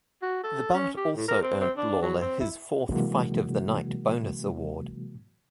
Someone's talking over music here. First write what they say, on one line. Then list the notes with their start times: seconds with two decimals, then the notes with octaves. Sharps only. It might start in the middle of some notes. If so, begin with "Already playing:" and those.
The bout also earned Lawler his fourth "Fight of the Night" bonus award.
0.22 F#4
0.44 A4
0.74 C#4
0.97 G4
1.16 A2
1.28 A#4
1.42 C4
1.61 C4
1.77 D4
2.02 F#3
2.21 C4
2.40 E4
2.91 C3 E3 F#3 G#3 A#3 F#4